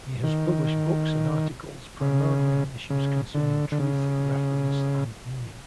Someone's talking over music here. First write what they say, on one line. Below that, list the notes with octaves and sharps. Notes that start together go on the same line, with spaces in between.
He has published books and articles primarily on issues concerning truth, reference, and meaning.
D#3
C#3
C#3
D3
D3
C#3